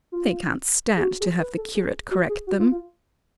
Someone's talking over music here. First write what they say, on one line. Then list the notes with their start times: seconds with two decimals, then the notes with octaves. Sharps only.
They can't stand to have the curate correct them.
0.12 F4
0.97 G#4
1.02 F#4
1.20 G#4
1.39 B4
1.57 A4
1.75 G#4
2.11 F#4
2.29 G#4
2.47 F#4
2.59 F4
2.71 F4